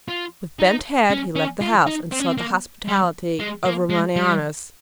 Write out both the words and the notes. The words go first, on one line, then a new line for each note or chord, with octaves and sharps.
With bent head he left the house and sought the hospitality of Romanianus.
F4
D#4
C#4
C#4
F4
D#4
C4
C#4
C4
A#3
G3
G#3
A#3
G#3
G3